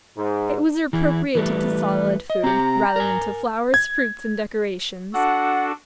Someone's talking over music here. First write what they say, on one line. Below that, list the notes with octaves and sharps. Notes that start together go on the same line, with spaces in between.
It was appropriated to solid food, rather than to flowers, fruits, and decorations.
G#2
E3 E4 G#4
E3 G3 A3 B4
D#5
C4 G4 A#5
A#4 G#5
G#6
D4 F#4 A4 F#5